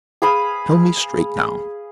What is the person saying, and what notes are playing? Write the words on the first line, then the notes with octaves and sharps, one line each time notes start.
Tell me straight, now!
G#4 F5 B5 D#6